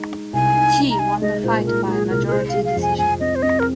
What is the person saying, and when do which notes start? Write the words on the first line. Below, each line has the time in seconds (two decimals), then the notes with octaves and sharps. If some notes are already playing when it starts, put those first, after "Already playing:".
Qi won the fight by majority decision.
Already playing: G#3 D#4
0.12 D#4
0.33 C2 G#5
0.56 D#4
0.78 D#4
0.90 A#5
0.99 D#4 G#5
1.22 G#3 D#5
1.43 A#2 C5
1.66 A#2 A#4
1.88 G#3 G#4
2.10 C2 A#4
2.27 A#4
2.32 G#4 C5
2.49 F5
2.54 G#4
2.65 F5
2.76 F2
2.82 G#5
2.98 F2 G#5
3.20 C4 D#5
3.35 C5
3.42 C4 D#5
3.59 A#4